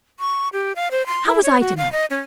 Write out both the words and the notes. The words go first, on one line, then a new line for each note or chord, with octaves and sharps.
How was I to know?
C#6
G4
F5
C5
C6
E4
C#5
F#4
F5
D#5
C#4